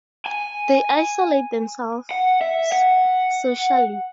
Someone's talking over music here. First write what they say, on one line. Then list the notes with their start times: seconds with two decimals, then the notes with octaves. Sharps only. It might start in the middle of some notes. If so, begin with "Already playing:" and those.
They isolate themselves socially.
0.26 G#5
2.11 F#5
2.41 E5
2.72 F#5